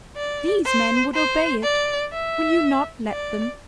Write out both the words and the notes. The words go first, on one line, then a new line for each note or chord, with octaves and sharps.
These men would obey it. Will you not let them?
D5
C5
C5
D5
E5
D5